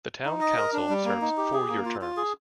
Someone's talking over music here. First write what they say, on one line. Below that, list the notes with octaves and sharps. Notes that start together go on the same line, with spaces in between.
The Town Council serves four-year terms.
D#4
D#5
A#4
D4
G3
A#3
D#4
G4
G#4
A#3
F4
F4
G#4